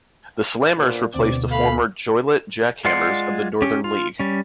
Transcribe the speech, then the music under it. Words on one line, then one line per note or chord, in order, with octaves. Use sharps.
The Slammers replace the former Joliet JackHammers of the Northern League.
A#2 B3 D4 C5
D2 B2 C4 D5
A3 F5 B5
G#3 F4 D5 F#5 C6
C#4 G4
F4
G3 C#4